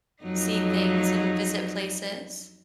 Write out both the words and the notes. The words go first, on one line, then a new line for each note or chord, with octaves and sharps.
see things and visit places.
F2 F#3 D#4